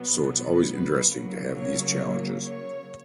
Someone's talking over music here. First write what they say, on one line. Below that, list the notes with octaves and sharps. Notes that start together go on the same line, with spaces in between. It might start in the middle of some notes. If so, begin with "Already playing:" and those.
So it’s always interesting to have these challenges!
Already playing: B2 F#3 B3
B4
C#3 F#3 A#3
C#5
C#5